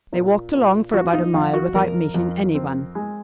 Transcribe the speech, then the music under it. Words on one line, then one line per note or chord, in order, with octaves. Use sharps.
They walked along for about a mile without meeting anyone.
A#2
A#2
F3 F#4
F4
D#4
F2 F4
F#4
F2 A#4
F2
C4
G#3